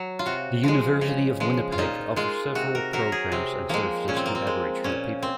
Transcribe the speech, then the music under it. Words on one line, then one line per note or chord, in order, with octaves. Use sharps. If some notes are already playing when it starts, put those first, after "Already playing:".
The University of Winnipeg offers several programs and services to Aboriginal people.
Already playing: F#3
F4
C3 F#4
F3 G#3
C#3
F3 G#3
F4
A#2 D#4
G#3 F4
C3 F#4
A#4
F#3 A#4
G#4
C3 C4
F3 G#3 A#3
A#2 C#4
C4
A#3
C4
G#3
A#2 C#4
C4